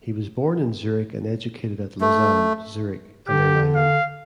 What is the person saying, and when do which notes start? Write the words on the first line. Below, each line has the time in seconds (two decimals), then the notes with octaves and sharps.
He was born in Zurich and educated at Lausanne, Zurich and Erlangen.
2.01 A3
3.28 D3 G4
3.75 F5